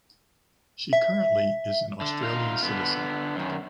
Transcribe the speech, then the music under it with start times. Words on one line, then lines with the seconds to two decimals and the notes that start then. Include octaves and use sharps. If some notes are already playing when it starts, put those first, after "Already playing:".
She currently is an Australian citizen.
0.93 E5
2.01 D3
2.23 D#4 F4
2.63 D3 B3
3.36 F#2 D#3